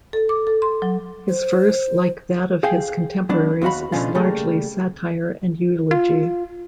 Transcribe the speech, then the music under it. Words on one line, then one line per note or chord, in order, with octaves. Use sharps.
His verse, like that of his contemporaries, is largely satire and eulogy.
A4
D6
A4
C6
F#3
C5
G#4 F5 G5
F#3 B3 D4
D#2 B3 F#4 F5 B5
B2 D3 F3 C#4 F4
C#3 G3 A3 A#3
F4